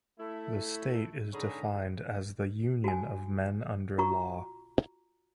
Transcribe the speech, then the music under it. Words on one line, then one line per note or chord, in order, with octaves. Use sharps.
The state is defined as the union of men under law.
A3 E4
G#2 D3 C#4 G#4 A#5 B5
F#4 G#5
F4 F#4 A#5 C#6